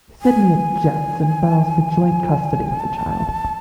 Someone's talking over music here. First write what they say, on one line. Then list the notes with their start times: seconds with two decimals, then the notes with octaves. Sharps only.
Sidney objects and files for joint custody of the child.
0.22 G#5
2.80 A5